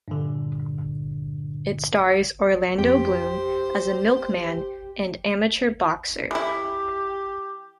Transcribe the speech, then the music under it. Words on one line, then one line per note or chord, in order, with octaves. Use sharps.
It stars Orlando Bloom as a milkman and amateur boxer.
G2 A#2 D3
F2 G4 C5
E3 E4 G4